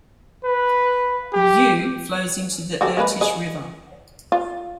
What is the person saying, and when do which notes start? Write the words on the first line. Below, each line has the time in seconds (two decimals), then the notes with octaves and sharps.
The Uy flows into the Irtysh River.
0.45 B4
1.34 G4
2.81 F#4 G4 A4
2.97 G#3 A#3 B4
3.21 G#4 D#5
4.32 F4